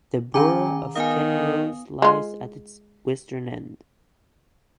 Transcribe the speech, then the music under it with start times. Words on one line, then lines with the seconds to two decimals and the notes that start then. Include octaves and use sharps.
The burgh of Kinross lies at its western end.
0.34 D#3 C#4 G5 G#5 A#5 D6
0.96 D#3 B3 F5 G#5 D#6
2.02 G#3 F4